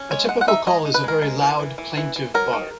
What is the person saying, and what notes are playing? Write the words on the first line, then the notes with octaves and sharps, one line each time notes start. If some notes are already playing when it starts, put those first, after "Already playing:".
A typical call is a very loud, plaintive bark.
Already playing: C#4
G#3 C#5
G#3 F#5
F#5
D#4 E5
G#3 D#5
D#4
B4
G#3 A#4
G#3
E3
E3
E3
E3
E3
F#3 A#4
D#3